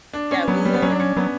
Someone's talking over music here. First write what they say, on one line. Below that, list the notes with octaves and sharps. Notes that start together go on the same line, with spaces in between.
Yeah, we, uh
D4
C#4
F#3 B3
G3
B3
F#3 C#4
D4
C#4
F#3 B3